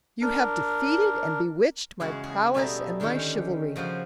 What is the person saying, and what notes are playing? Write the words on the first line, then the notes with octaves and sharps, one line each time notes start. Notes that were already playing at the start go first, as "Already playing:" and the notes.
You have defeated and bewitched my prowess and my chivalry.
D4 A#4
E2 C#3 G#3 F#4 C#5
G#4
B2 G3 G#4 A4 E5 A#5
D3 D#3 G#3 C#4 G4
C#3 F3 F#4 C5